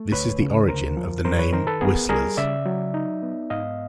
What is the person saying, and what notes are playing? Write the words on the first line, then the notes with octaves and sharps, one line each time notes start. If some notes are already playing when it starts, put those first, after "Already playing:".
This is the origin of the name "whistlers".
Already playing: A3
D2 B4 C#5
C#3
D2 A#4 C5
F3
F#2 A#4 C5
B4 C#5
D#3 A#4 C5
A4 B4
B3 G#4 A#4
G3 G#4 A#4
C#3 D5 E5
F#3
D#4
B3
G#2 D#5 F5